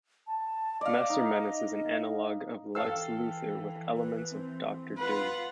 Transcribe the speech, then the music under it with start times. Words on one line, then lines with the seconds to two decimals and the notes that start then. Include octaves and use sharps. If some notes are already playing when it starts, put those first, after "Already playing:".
Master Menace is an analogue of Lex Luthor with elements of Doctor Doom.
0.27 A5
0.81 D5 D#5 F5
1.10 D#4
2.75 E3 A4 F5 G5 E6
3.97 B4
4.31 C4
4.97 F4 B4 F#5 B5